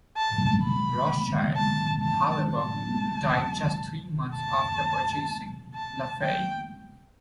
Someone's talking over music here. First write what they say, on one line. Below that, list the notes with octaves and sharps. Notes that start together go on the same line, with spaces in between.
Rothschild, however, died just three months after purchasing Lafite.
A5
B5
A5
A5
A5
A5
A5
G5